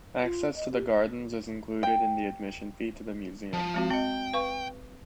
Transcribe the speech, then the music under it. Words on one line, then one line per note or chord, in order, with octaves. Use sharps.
Access to the gardens is included in the admission fee to the museum.
F4
D#5
G4
G5
F3 A5
G#3 C4 F#4
C4 D#5 G5
B4 F5 C#6